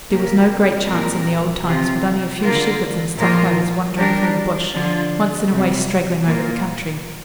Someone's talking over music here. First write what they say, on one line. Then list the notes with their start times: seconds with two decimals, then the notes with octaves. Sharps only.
There was no great chance in the old times with only a few shepherds and stock-riders wandering through the bush, once in a way straggling over the country.
0.10 C3 A#3 G4 A#4
0.88 A#2 F3 C4 A#4
1.65 C3 F3 C4 F4
2.42 D3 A#3 F4 A#4
3.18 A#2 F3 A#3 F4 A#4
3.95 G3 D4 G4 A#4
4.72 D3 F3 D4 F4
5.49 C3 G3 C4
6.26 A#2 A#3 F4 A#4